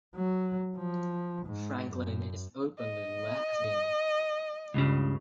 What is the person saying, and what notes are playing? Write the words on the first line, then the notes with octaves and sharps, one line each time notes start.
Franklin is openly lesbian.
F#3
F3
G#2
F#2
D#5
C#2 G2 C#3